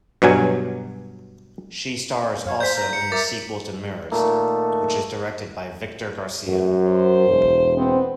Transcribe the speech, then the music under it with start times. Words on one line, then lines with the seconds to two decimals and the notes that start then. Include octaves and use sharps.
She stars also in the sequel to "Mirrors", which is directed by Victor Garcia.
0.22 G2 B2 F#3 G#5
2.46 F#2 C#5 F5
2.60 C5 F5 G6 B6
2.76 A#5
2.93 C#7
3.12 A#4 E5 D6 E6 A6
4.11 A#2 D#3 A3 A#3
6.48 F#2 F#3 A3
6.87 C5
7.28 E1
7.78 B3 C4